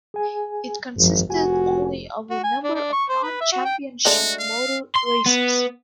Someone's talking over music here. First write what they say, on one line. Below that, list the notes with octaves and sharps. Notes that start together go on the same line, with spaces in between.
It consisted only of a number of non-championship motor races.
G#4 G#5
G#1 F#2 F3
F1 F#4 G#5
F#4
G#5
D4
D4
C#6
C5
B4
E5
F#4
G5
G#3 A3 D4 F#4
F5
C6
B3